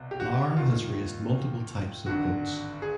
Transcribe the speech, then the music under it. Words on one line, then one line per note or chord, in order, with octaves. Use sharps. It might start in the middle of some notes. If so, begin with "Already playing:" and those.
Larr has raced multiple types of boats.
Already playing: C2 B2
G4
F#4
D#2 D#3 F4
G#1 G2 D3 F#4
G#4